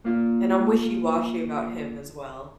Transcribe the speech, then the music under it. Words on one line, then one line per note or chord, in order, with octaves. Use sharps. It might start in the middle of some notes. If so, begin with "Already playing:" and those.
and I'm wishy-washy about him as well.
A#3 F4